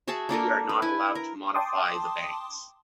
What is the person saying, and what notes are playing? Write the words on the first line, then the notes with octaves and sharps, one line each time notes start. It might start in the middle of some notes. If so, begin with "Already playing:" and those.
We are not allowed to modify the banks.
F#4 G#4 E5 A5
A#3 D4 A4 A#4
B4
E4 G#5
A#4
G5 A5 C6 D6 D#6